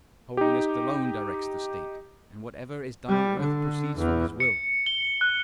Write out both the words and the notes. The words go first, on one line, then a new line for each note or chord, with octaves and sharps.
His holiness alone directs the state, and whatever is done on earth proceeds from his will.
D#4 G4
G3
D3
E2
C#7
G7
F#6